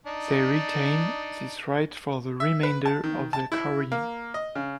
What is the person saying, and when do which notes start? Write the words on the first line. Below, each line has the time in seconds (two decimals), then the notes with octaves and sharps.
They retain this right for the remainder of their career.
0.07 D4 D#4
2.40 E5
2.63 B4
2.85 A5
3.04 D#3
3.33 A5
3.52 E4
3.92 A#3
4.34 D#5
4.55 C#3